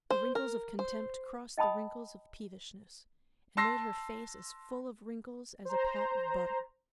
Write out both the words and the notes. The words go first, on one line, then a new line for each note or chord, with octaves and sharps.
The wrinkles of contempt crossed the wrinkles of peevishness, and made her face as full of wrinkles as a pat of butter.
C5
A#4
C5
D#5 G5 A5 B5 D#6
A5 C6 E6 A#6 C7
C5 A#5